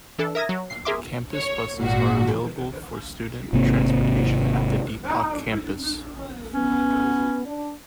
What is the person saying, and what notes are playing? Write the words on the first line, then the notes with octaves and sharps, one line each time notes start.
Campus buses are available for student transportation at the Depok campus.
E3 D4 A4
A#4 E5 D#6 G#6 A#6
F#3
C7
G#4 A#4 E5 C6 D6
C#5
G#1 A#2 F#4
G#1 C3 A#3 C4
B3 C#4
D4